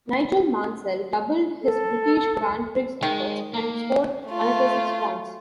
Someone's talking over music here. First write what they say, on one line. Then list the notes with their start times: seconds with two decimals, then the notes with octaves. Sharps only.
Nigel Mansell doubled his British Grand Prix efforts and scored another six points.
1.62 A4
3.03 D#3 G#3
3.53 A#3
4.28 A3 F4